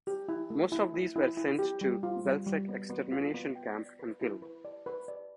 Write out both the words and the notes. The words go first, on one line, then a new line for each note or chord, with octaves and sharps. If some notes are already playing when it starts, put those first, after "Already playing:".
Most of these were sent to Belzec extermination camp and killed.
G4
E4
A3
E4
E4
E4
E4
G4
G3
F4
G3
G3
B3
B3
F4
B3
G5
D5
B4
E4
B4
D5
B4
D5